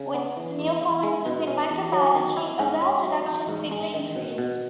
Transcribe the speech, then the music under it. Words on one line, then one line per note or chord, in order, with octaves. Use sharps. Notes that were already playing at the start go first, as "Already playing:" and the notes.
With its newfound use in microbiology, agar production quickly increased.
Already playing: C#3
B3
E3
E2
E2
G#3
B2
C#4
E2
F#3
D#3
E4
G#2
C#4
F#3
D#4
G#2
G#3
D#3
B2
B2